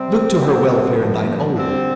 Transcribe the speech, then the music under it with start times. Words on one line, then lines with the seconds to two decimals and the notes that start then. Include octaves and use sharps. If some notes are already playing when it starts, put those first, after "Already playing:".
Look to her welfare and thine own.
Already playing: C3 G3 C4
0.40 B2 G3 C4
0.98 G2 D3 F3
1.56 D3 G3 C4